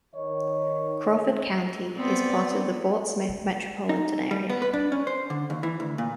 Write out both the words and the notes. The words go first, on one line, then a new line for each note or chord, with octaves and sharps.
Crawford County is part of the Fort Smith metropolitan area.
D#3 C#5 D#5
B3 C4 D5
D#4
G3
B3
B4
D4
C#4
C5
D3
D#2
E3
D2
A#2